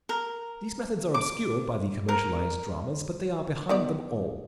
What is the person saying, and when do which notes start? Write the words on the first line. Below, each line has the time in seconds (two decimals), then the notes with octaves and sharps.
These methods are obscured by the commercialized dramas, but they are behind them all.
0.09 A#4
1.14 D6
2.09 A#4
3.69 D#3 B3 D5